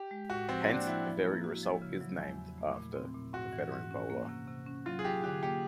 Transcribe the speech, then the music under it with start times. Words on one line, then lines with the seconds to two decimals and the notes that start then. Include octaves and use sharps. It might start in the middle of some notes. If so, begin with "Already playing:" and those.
Hence, the very result is named after the veteran bowler.
Already playing: G4
0.11 G#3
0.30 A2 F#4
0.49 F3 C4
0.68 A#3 D4
0.87 F3 E4
1.07 F3
1.25 A#3
1.44 F#4
1.63 F3
1.82 C#3
2.01 F#3
2.20 E2
2.39 E2
2.58 A3
2.77 A#2
2.96 C4
3.15 A#2
3.33 G#2 F#4
3.53 E3
3.72 G#2
3.91 C#4
4.10 A#3
4.29 C3
4.48 C3
4.66 C#4
4.86 F#3 F4
4.99 G#4
5.05 F#3 G4
5.24 D3 G4
5.43 A#3 G4